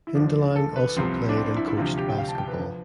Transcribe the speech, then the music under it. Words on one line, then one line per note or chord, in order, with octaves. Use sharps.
Hindelang also played and coached basketball.
E4
D2 D3 F3 D4
A4
B4
C2 C3 F3 C4
D4
C4
D4
E4
E4
D2 C3 F3 F4
G4
G5
F5
A5
G5
B4
F3